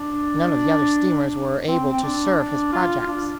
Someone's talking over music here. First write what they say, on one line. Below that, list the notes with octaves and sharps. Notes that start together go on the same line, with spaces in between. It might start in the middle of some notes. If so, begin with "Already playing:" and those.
None of the other steamers were able to serve his projects.
Already playing: D4
C4
C4
D4
D4
F4
F4
D4